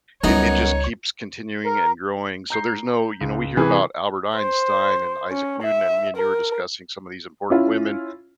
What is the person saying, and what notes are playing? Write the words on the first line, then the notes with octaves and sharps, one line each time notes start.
it it just keeps continuing and growing, so, there's no you know, we hear about Albert Einstein and Isaac Newton, and me and you were discussing some of these important women,
C#2 F#2 G3 B3 D#4 C#5
A#4
A#5 G6 C7
C#2
C3 E3 G#4 B4
C5
C#4
E5
A#4
C#4 E4 F4